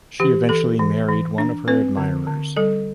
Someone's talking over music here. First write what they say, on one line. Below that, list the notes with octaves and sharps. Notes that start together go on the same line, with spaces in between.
She eventually married one of her admirers.
E3 G4
E3 A4
E3
E3
D4
C4 B4
D3
D3
G3 A4